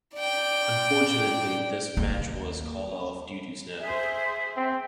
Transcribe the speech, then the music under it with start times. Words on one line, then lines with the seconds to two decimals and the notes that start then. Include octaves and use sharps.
Unfortunately this match was called off due to snow.
0.15 D5 G5
1.97 D#2 A#3
3.80 G#4 C5 E5
4.56 C4